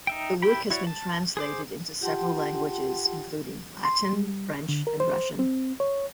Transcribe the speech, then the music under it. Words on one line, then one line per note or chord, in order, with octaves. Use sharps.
The work has been translated into several languages including Latin, French and Russian.
D#4 E5 G5
E4 G4 G5 B5
E4 F#4 C#5 D5
A5
G#4 C5 D6
F4 G4 F#5 G5 A5 C6
C6
G3
D3
A#4
C5
C4
C#5